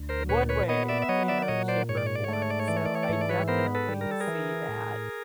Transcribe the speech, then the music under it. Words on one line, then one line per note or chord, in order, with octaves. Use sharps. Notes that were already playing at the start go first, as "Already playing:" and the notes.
One way, you know, shape or form, so, I definitely see that,
Already playing: D2
A#4 C5
A#2 B4 C#5
B4 C#5
B3 C#5 D#5
D5 E5
E5
F#3 C#5 D#5
D5 E5
D5
A#2 C#5 D#5
C5 D5
G#2 C#5
D5
C#5
D5
C#5
A3 D5
C#5
D5
C#5
E3 D5
C#5
D5
C#5
D5
G#2 C#5
D5
B4 C#5
B3 A#4 C5
A4 B4
G3
A#4
A4
G#4 A#4
E3
A2